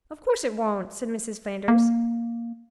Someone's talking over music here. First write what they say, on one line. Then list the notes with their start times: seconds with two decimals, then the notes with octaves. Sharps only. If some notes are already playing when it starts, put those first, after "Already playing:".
"Of course it won't," said Mrs. Flanders.
1.68 A#3